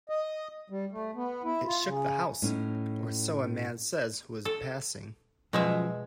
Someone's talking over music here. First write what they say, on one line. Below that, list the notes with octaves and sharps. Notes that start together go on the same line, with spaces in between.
It shook the house, or so a man says who was passing.
D#5
G3
A3
B3
E4
F4
C#3
A2 C#4 D#4
A4
F#2 B2 F3 G#3 E5